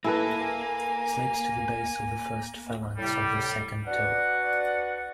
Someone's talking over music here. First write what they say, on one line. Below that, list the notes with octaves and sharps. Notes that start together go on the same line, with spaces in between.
Slips to the base of the first phalanx of the second toe.
A#3 E4 A4 B4 G#5
A2 C3 G3
D4 F#4 B4 D5 F#5